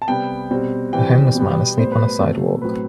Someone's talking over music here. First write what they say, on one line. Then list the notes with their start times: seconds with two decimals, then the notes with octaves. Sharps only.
A homeless man asleep on a sidewalk.
0.02 A5
0.08 C3 G3 B3 G5
0.51 B2 G3 C4
0.93 E3 G3 C4 G5
1.35 B2 G3 B3
1.77 A2 G3 B3 C5
1.92 B4
2.05 B4
2.20 B2 A3 C4 A4
2.62 A2 F#3 C4 B4